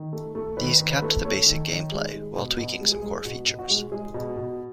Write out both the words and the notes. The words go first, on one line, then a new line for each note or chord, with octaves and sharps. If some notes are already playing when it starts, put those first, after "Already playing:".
These kept the basic gameplay, while tweaking some core features.
Already playing: D#3
A3
A3
D#3 B4
D#3
B4
A3
A3 C#5
D#3
D#3
G#3
G#3
B2
B2 F#4
G#3
G#4
G#3
B2 F#4
B2
F#4
G#3
G#3 G#4
B2
B2